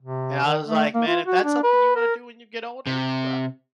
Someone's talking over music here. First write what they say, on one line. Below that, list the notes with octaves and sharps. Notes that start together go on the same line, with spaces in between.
And I was like, "Man, if that's something you wanna do when you get older? Well I"
C3
D#3
A3
A#3
F4
F#4
D4
B4
A#4
C3